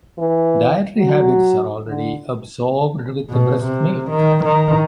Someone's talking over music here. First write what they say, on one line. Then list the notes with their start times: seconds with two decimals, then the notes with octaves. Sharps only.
Dietary habits are already absorbed with breast milk.
0.18 E3
0.97 F#3
1.88 D3
3.30 B2
3.63 C3
4.10 D#3
4.44 D#3